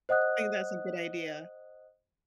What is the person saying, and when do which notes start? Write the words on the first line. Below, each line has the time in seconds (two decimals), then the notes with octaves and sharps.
I think that's a good idea.
0.09 C5 D#5 F#5 D#6 F#6